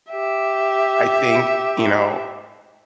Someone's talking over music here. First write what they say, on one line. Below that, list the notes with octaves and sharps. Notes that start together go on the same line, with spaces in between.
I think, you know,
G4 E5